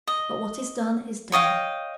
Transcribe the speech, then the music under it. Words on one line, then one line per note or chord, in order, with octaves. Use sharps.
But what is done is done!
D#5
C#5 D#5 F5 G5